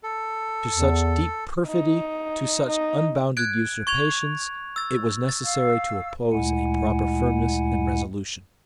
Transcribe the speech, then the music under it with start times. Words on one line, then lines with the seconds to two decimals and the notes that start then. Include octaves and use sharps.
To such deep perfidy, to such unbounded usurpations, it was necessary to oppose a proper firmness and resolution.
0.03 A4
0.73 E2
1.67 D#4
2.67 D#4
3.37 F#6 G#6 D7
3.87 C#6 G#6 F7
4.76 E6 A6
5.29 A6
5.44 F5 E6
6.32 D2 A#2 G#3 E4 F#5 G#5